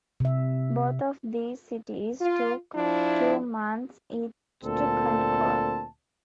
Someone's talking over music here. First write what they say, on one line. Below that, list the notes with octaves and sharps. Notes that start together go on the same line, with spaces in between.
Both of these cities took two months each to conquer.
C3 E5
F4
F3 D4 E4
D2 A#2 C4 A4 A5